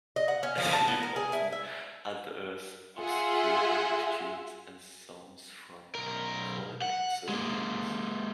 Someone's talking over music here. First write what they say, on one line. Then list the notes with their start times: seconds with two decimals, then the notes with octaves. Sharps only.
He often unearths obscure English tunes and songs from folk ceremonies.
0.16 D#5
0.28 F#5
0.43 C#4
0.58 F3
0.73 A5
0.88 B3
1.03 A#4
1.16 G#4
1.33 E4
1.52 E5
2.99 F4 G#4 E5 F#5 C6
5.95 B1 A#4
6.82 F#5
7.29 G#3 A#3